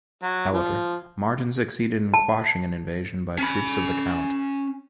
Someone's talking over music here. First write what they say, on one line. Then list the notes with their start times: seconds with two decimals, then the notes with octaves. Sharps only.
However, Martin succeeded in quashing an invasion by troops of the count.
0.23 F#3
0.53 F3
2.14 A5
3.38 C#4 B5